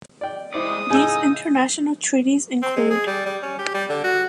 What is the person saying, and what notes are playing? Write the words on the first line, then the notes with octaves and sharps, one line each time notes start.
These international treaties include.
D5 G5
G#3 E4 C5 D5 D#6
A2 C#3 D#4 G#5 E6
C4
G#3
G#4
G3
G3
C#4
G4
G3
D3
F#4